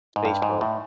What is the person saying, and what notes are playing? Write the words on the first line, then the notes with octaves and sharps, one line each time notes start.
space probe,
G#2
G2
G#2
A2